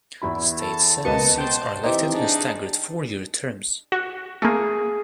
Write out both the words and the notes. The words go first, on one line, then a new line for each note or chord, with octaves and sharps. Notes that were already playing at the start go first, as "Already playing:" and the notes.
State Senate seats are elected in staggered four-year terms.
E2 E4 B5
A4
C#2 B2 A#3 B4 D#5 A5 C#7 D#7
C5 G5 A5 G6
E3 C4 D#4 G4 E5 G5 D6
D4 D#4 G#4
F#4
A3 A#3 G#4